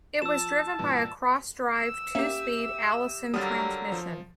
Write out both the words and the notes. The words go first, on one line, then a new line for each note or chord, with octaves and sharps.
It was driven by a cross-drive, two-speed Allison transmission.
F3 A5 E6 E7
G2 A#2 E3
E6
A#3 C#4 G4 E5
D3 F#3 G3 A#3 D#6 F6 A6 C7
F3 E6